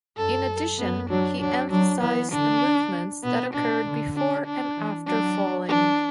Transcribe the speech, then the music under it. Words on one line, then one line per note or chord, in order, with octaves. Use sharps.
In addition, he emphasized the movements that occurred before and after falling.
F#2 A4
F#2 B3
F#3 D4
F#3 D4
F#3 D4
E3 B3
D3 D4
B2 B3
B2 D4
D3
D4
D4
E3
F#3 D4
E3 D4